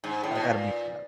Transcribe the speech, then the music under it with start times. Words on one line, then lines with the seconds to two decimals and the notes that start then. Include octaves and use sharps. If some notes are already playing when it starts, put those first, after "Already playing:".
I gotta meet them up.
0.04 G#2
0.24 A2
0.35 B2
0.43 A#2